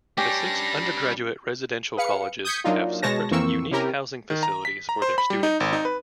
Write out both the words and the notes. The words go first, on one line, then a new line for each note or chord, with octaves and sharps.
The six undergraduate residential colleges have separate, unique housing facilities for their students.
G3 C#4 D4 G4 A#6
G#4 B4 F5 C#7
D#6 G6 G#6 B6 C#7
F#3 A#3 D4 D#4 F4
B2 G#3 C#5 A5 A#6
F2 E3 A#3 C4 C#6 E6
C3 C#4 E4 G4 A#4
D#3
A#5
B6
A#5
C5
B5
G3
D#4
G#1
D#4
B4